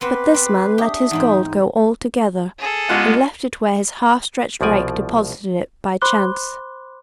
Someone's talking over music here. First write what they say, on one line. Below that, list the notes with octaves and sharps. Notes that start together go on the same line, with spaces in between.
But this man let his gold go all together, and left it where his half-stretched rake deposited it by chance.
B3 C4 B4 C5 C6 D6
C4
D4 G4 E5 D#6
E2 G#2 C4 D#4
G#4 A4
A1 G#3 B3 F4 F#5
C2 B2 F3 D5 G#5
C5 B5 C6 D6 F#6 G7